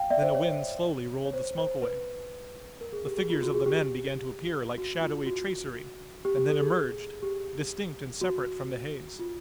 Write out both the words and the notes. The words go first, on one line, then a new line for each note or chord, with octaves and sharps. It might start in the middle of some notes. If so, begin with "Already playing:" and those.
Then a wind slowly rolled the smoke away. The figures of the men began to appear like shadowy tracery, and then emerged, distinct and separate from the haze.
Already playing: F5 G5
D5 E5
C5 D5
C#5
C#5
C5
C5
B4
A#4
G#4
G4
G#4
F4
F#4
G#4
G4
F#4
F4
F#4
G4
G4
A4
G#4
G4
F#4
F4